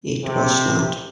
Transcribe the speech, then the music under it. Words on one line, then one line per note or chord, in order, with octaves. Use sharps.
It was not.
C3